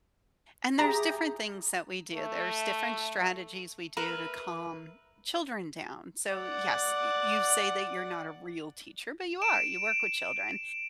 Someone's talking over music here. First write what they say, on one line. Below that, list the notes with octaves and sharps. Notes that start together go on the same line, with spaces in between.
and there's different things that we do. There's different strategies we do to calm children down. So, yes, y you say that you're not a real teacher, but you are, you work with children.
G4 G#4 E5 A#5
A3
A#4 B4 E5 B5
D5 F#5
D7 E7